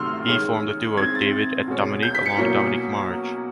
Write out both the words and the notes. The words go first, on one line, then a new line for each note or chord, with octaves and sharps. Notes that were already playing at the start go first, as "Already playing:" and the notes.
He formed the duo David et Dominique alongside Dominique Marge.
Already playing: C3 D#3 F#3 A3 C6 E6 F6
D#3 G#3 C#4
D#3 G#3 C4 G#6
A6
B2 G#3 C#4
G6
B6
C#7
B2 F#3 A#3 C#4